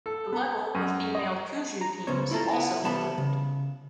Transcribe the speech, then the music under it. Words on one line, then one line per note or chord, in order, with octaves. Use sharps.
The level of female cuju teams also improved.
A4
B3
F#2
D#5
A#5
C#2 B3 C#4 C5 C#5
E4 F4 A4 A#5
B3 E4
C2 E3 G3 B3 A5 B5
C#3